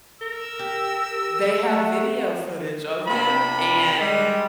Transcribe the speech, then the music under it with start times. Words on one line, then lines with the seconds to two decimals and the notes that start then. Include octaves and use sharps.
they had video footage of him, and
0.21 A#4 E6
0.59 G4
1.63 A3 F#5
3.07 C3 D4 F4 B5
3.98 G3 G#3